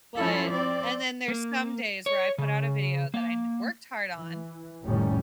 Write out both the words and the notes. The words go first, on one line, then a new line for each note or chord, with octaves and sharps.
but and then there's some days where I put out a video that I kno worked hard on,
F3 C#4 E4 A4
C4 D5
A#3
C#5
C#3
A#3
E3
F1 C#2 A2 D#3 G3 C#4